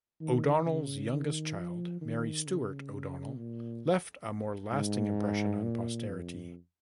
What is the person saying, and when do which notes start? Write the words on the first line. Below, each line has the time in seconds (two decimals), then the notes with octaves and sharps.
O'Donnell's youngest child, Mary Stuart O'Donnell, left a more lasting impression on posterity.
0.21 D#3
0.66 C#3
1.11 D#3
1.56 F3
2.02 D#3
2.47 C#3
3.37 A#2
4.73 G#2
5.63 A#2
6.09 F2